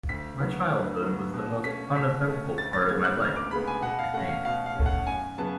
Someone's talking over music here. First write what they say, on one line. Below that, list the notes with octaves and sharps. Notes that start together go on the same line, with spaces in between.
My childhood was the most uneventful part of my life, I think.
D2 B6
D3 F#3 B3
D2
D3 F#3 B3
B2
A3 C#4 B6
B2 B6
A3 C#4
D2 A6
A6
C#3 G#3 B3 G#6
F#6
D2 F6
D6
C#3 G#3 B3 B5
G#5
B2 F#5
F5
A3 C#4 F#5
F5
B2 F5
F5
A3 C#4
F#5
F#2 G#5
C#3 F#3 B3 A5